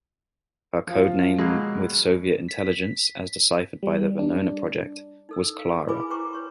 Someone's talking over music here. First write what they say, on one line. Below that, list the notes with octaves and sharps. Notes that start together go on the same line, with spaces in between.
Her code name with Soviet intelligence, as deciphered by the Venona project, was "Klara".
F3 F4
B2 F#3 G#3 A#3
B6
G3
D4
D#4 A4 E6
F5
E4 G#4 B4 G#5 B5 D6
B4 C5 G5 A#5 C#6 D6
B4 C#5 C#6